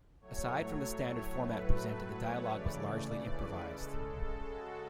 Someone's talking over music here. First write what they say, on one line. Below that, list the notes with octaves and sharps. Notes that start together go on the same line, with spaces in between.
Aside from the standard format presented, the dialogue was largely improvised.
A2 F#3 A3 C#5
C#5
C#5
A2 F#3 A3 B4
B4
C#5
C#3 E3 A3 D5
D5
D5
B4
C#3 G#3 A4
A4
F#4